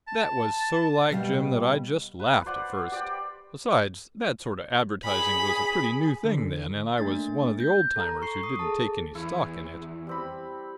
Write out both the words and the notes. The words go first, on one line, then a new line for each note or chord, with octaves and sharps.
That was so like Jim that I just laughed at first; besides, that sort of advertising was a pretty new thing then, and I was one of the old-timers who didn't take any stock in it.
A5
B2 G3 F5
B4
B4 C5 D5 F#5
G4 D5 G5
G#4 B5
D3
A3 A#3 D4 A6
G6
A4 A#5
C#6 C7
D#6
G#4 A4 A5
E2 E4
G3 C4 B5